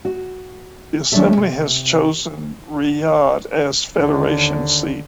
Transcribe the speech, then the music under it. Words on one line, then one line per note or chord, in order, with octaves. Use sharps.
The assembly has chosen Riyadh as federation seat.
F#4
D#2 F#3 G#3 D4 A4 E5
C3
D#2 D3